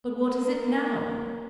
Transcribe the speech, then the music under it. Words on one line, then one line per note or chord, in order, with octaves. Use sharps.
But what is it now?'
A#3